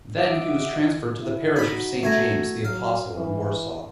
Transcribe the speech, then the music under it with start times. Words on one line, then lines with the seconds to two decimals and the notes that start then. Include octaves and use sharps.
Then he was transferred to the parish of Saint James the Apostle in Warsaw.
0.18 F#4 D#5 E5 D6
1.21 E4
1.56 D#4 F#4 B5
2.03 A3 G#5 A#5
2.65 F#3 F5
3.16 E3